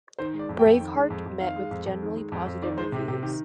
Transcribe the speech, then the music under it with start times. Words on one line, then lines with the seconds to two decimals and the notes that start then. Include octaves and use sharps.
"Braveheart" met with generally positive reviews.
0.19 D#3 C5
0.34 G#3
0.39 D5
0.49 F2
0.59 G5
0.65 F2
0.80 D#3
0.95 G#3
1.10 F2
1.26 F2
1.40 D#3 F5
1.56 G#3
1.71 F2
1.86 F2
2.02 D#3
2.17 G#3
2.32 F2
2.47 F2
2.62 D#3 D5
2.77 G#3 C5
2.92 C3 G4
3.08 C3 G4
3.22 D#3 G4